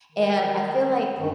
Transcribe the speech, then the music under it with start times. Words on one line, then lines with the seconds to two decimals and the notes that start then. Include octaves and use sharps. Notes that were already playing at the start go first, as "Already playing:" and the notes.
and I feel like
0.12 D#3
1.19 G2 D#3 C#4